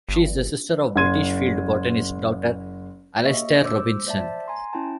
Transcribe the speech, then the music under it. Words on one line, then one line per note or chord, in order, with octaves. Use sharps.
She is the sister of British field botanist Doctor Alastair Robinson.
G1
F#1 C6 G#6 D#7
A#3 D#5 E5 C#6
C5 D6 E6
C5 D5 E5 A5
G#5 A#5 C6
C#4 E4 G5 A5